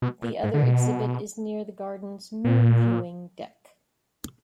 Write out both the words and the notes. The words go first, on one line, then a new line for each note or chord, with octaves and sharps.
The other exhibit is near the garden's 'Moon-Viewing' deck.
B2
A#2
G#2
D3
B2
A#2